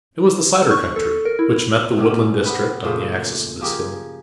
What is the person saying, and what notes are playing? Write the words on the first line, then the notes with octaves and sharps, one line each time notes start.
It was the cider country, which met the woodland district on the axis of this hill.
C#6
A4
A#4
E4
B2 A3 C#4 G4
C3 B3 B4 G5
A#2 C#3 A3 C5
F3 G4 G#4 A#4